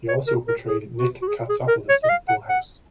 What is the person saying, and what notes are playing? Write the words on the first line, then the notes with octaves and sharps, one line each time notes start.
He also portrayed Nick Katsopolis in "Full House".
C#5
A#4
A#4
G#4
F#4
F#4
G#4
G#4
A#4
C#5
D#5
F5
F#5
F#5